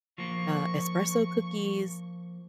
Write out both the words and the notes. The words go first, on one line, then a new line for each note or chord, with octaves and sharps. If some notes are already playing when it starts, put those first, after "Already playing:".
uh, espresso cookies,
F3 A#3 C#6